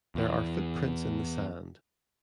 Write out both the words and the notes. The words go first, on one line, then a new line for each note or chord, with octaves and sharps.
There are footprints in the sand.
E2 E3